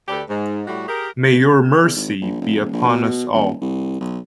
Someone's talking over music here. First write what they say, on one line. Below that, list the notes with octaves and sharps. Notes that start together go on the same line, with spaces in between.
May Your mercy be upon us all.
D2 G4 A4 B4 D5
G#2
A2 G3 A3 F#4
G4 G#4 A#4
E2
G#1
A#1
F1
D#1
A#1
B2
B2
D#1
C2
B1